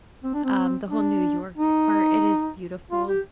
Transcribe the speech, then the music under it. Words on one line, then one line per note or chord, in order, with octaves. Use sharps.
um, the whole New York part, it is beautiful,
C4
D4
C4
D4
D#4
F4
G4